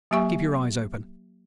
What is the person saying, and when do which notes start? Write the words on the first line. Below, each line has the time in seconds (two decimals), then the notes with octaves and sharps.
Keep your eyes open.
0.11 F#3 A#3 G4 E5 G#5 C#6